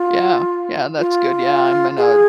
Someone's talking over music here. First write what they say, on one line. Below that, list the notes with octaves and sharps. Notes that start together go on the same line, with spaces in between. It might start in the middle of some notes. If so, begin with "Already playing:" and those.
Yeah, yeah, that's good yeah, I'm in a
Already playing: F4
F4
G#4